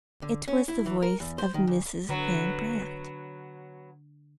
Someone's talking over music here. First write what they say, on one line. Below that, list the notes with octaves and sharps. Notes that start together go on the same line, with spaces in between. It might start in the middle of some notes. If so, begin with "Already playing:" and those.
It was the voice of Mrs. Van Brandt.
D3
C#4
E4
E3
A#4
E2
C5
D#3
D2
D3 F#3 B3